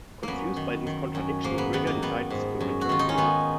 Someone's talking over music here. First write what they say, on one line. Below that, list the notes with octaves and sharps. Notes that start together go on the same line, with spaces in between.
Confused by these contradictions, Rigger decides to return to Europe.
F#2 A#3 B3
D#3
D#3
F#2
G#2 A#3
B3
D#3 B3
A#3
D#3 B3
G#2
F#2
F#4
D#3 F4
D#4
C#4
D#3 B3